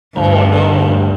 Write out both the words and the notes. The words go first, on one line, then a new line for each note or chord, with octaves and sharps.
Oh no.
D2 G2
B3
D3
D2
G2